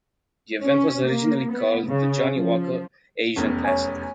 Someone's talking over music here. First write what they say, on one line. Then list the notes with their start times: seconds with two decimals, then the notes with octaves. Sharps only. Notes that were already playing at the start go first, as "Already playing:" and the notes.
The event was originally called the Johnnie Walker Asian Classic.
0.62 C#4
1.07 A#3
1.51 B3
1.87 C#3
2.36 F3
3.36 F1 E2 C#4
3.64 C#5 G#5